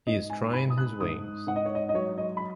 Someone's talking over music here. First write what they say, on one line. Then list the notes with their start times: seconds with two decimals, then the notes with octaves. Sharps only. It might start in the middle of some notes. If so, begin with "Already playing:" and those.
He is trying his wings.
0.07 G#2 D#5
0.30 G#5
0.53 G#2 B5
0.70 D#6
0.78 F#6
1.00 G#2 D#6
1.47 G#2 F#5
1.56 D#5
1.65 C#5
1.75 D#5
1.89 D#5
1.94 F#3 C#5
2.18 D#5
2.37 B5